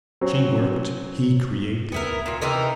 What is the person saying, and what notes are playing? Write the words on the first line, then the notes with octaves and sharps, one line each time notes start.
She worked; he created.
F#3 C4 C#4
B3 E4 A#4
A#2 F4
C3 E3 D#4 A#4